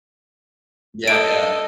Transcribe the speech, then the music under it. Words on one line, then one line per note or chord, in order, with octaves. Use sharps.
Yeah, yeah,
A4 D#5 D7